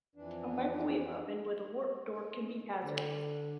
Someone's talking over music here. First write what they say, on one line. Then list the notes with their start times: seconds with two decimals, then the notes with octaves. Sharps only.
A microwave oven with a warped door can be hazardous.
0.15 F2 E3 D4
2.85 D3